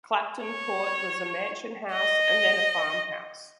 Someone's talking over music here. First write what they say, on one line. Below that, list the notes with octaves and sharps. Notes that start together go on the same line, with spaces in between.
Clapton court was a mansion house and then a farmhouse.
C#5
D#5